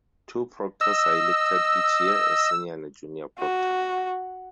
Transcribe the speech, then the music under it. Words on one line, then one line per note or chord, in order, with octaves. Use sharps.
Two Proctors are elected each year: a Senior and a Junior Proctor.
D#5 E6
F#4